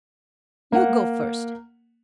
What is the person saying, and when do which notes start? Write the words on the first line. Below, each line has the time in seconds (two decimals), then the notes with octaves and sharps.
"You go first."
0.72 A#3 F#5